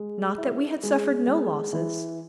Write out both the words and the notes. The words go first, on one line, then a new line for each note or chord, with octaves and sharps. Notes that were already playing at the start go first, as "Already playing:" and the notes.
Not that we had suffered no losses.
Already playing: G#3
E4
G#3
G#3
E3